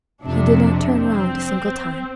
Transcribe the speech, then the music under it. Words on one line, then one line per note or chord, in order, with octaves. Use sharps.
He did not turn round a single time.
F2 C3 D4
C4